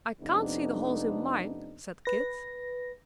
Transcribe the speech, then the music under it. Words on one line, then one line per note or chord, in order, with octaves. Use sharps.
"I can't see the holes in mine," said Kit.
F2 C3 A3 B3 D4 D#4
B4 A#6